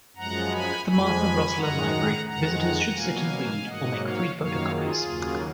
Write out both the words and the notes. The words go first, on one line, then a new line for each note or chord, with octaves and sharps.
At the "Martha Rosler Library," visitors could sit and read or make free photocopies.
F#2 F3 G#3 F#5 A#5
G#5 B5
F2 F3 G#3 G#5 B5
F#2 D#3 G#3 F#5 A#5
F2 D#3 G#3 F#5 A#5
B2 F#3 A#3 F5 G#5
G#2 F#3 A#3 D#5 F#5
C#5 F5
F#2 D#3 F#3 A#3 C#5 F5
F4 G#4
D#2 C#3 F#3 A#3